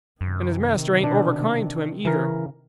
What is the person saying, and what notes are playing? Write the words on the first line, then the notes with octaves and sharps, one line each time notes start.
And his master ain't over kind to him either.
F#2 C3 D#3
B2 D4
C#3 E3 A#4